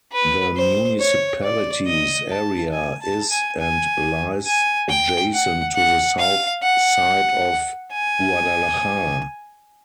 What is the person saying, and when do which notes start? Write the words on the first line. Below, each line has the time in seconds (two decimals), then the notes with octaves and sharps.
The municipality's area is and lies adjacent to the south side of Guadalajara.
0.12 B4
0.57 C5
1.00 C#5
1.42 D5
1.86 D#5
2.29 A5
2.72 G#5
3.02 A5
3.30 G#5
3.60 G#5
4.46 G#5
4.89 G5
5.33 F#5
5.76 F#5
6.18 F5
6.62 F#5
7.92 G#5